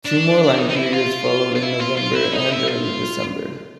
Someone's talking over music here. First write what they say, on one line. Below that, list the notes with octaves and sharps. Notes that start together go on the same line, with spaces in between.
Two more line periods followed in November and early December.
D4
D#4
D#4
E4
F4
F4
E4
F4
F4
E4
D#4
E4
F4